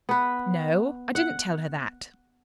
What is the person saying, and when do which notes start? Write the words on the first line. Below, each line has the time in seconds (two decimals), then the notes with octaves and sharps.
"No; I didn't tell her that."
0.09 B3 B4
1.15 F#5